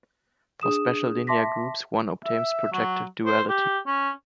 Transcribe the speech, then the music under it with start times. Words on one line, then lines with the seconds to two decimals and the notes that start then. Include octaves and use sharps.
For special linear groups, one obtains projective duality.
0.61 D4 G#4 D#6 E7
1.27 E5 A5 C6 D6 A#6 B6
2.25 E5
2.72 F#3
3.26 C5
3.49 G4
3.87 C#4